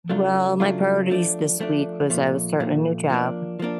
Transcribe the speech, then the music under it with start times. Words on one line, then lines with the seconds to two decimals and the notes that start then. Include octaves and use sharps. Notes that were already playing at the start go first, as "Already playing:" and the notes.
Well, my priorities this week was, I was starting a new job,
0.09 C#3 F#3 A3 D4 F4
0.60 C#3 F#3 A3 D4 F4
1.10 F3 A3 D4
1.60 F3 A3 D4
2.10 A#2 F3 A3
2.60 A#2 F3 A3
3.10 F3 A#3 D4
3.59 F3 A#3 D4